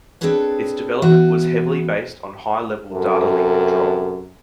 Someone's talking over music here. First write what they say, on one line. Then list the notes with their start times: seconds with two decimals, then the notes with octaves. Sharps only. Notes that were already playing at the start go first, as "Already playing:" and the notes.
Its development was heavily based on High-Level Data Link Control.
0.21 C4 D4 G#4 A4 B4 C#5
1.02 E3 B3 F#4 F5
2.91 F#2 C3 A4